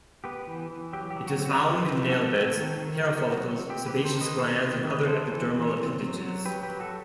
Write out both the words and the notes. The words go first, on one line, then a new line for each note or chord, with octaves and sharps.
It is found in nail beds, hair follicles, sebaceous glands, and other epidermal appendages.
B3 G4 B4
E3
E3
F#3 G4
G4
F#3
F#4
C4
F#4
E3 G4
E3 G4 B4
B3 F#4 A4
C4
D#3
D#3
F#3 F#4
F#3
C4
C4 G4
G4 B4
D#3
A4 C5
D#3
B4 D#5
C4 A4 C5
B4 D#5
D#3
D#3
B4 D#5
B3 A4 C5
E3
E3
C4
F#3
F#3
F#3 G4 B4
G4 B4
F#3
F#4 A4